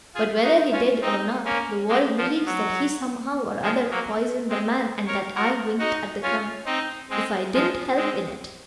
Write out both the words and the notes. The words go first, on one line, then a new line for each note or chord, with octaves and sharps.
But whether he did or not, the world believes that he somehow or other poisoned the man and that I winked at the crime, if I didn't help in it.
F4 G#4
D#4 F#4
C#4 F4
C4 D#4
A#3 C#4
G#3 C4
F3
F#3
F3 G#3
F#3 A#3
G#3 C4
A#4 C#5
F#4 A#4
D#4 F#4
C#4 F4
C4 D#4
G#3 C4
F3 G#3
G#3 C4